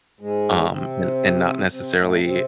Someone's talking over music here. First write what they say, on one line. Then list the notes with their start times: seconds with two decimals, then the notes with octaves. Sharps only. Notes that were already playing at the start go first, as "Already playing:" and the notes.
um, and and not necessarily
0.20 G#2 G#3
0.71 C3 C4
1.72 C3 C4
1.97 A2 A3
2.22 C3 C4